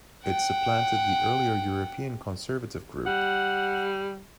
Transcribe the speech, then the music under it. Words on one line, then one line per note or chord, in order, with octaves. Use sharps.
It supplanted the earlier European Conservative Group.
F#5 G5
G3 F#5